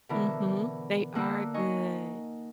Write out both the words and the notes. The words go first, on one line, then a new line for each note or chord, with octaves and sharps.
Mhm, they are good.
B2 D3 E3 E4 A#4
D3 A#3 A#4 F#5 E6
D#4 D#5 G#5 C#6